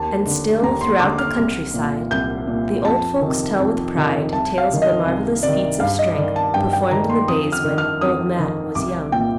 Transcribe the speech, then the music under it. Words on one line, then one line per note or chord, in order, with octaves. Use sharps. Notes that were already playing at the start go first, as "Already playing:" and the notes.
And still, throughout the country side, the old folks tell with pride tales of the marvelous feats of strength performed in the days when "Old Matt" was young.
Already playing: D#2 A5
D3
D#2 A#5
C6
D3 D6
F6
C2
A#2
C2 G6
A#2
F2 A5
C3 D#3
F2
C3 D#3
C2 A5
F5
C3 D#3
D#5
C2
C3 D5
D#3
G2 F5
D#5
D#3 D5
A5
G2 G5
G5
D#3 A#5
C6
F2 D#6
F6
D#3
F6
F2 D#6
D#3
C2 D6
A#2 G5